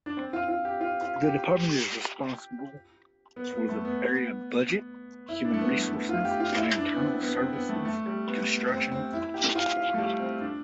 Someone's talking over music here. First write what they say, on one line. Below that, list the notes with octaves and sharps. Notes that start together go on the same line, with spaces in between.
The department is responsible for the areas "budget", "human resources" and "internal services, construction".
D4
C4
F4
F4
G4
F4
F4
G4
B3
B3
A3
B3
E4
D4
A3
B3
A3
A3
B3
F4
G4
F4
E4
D4
B3
C4
B3
C4
B3
A3
A3
G3
B3
B3
C4
C4
E4
G4
F4
F4
A3
G3
C4
D4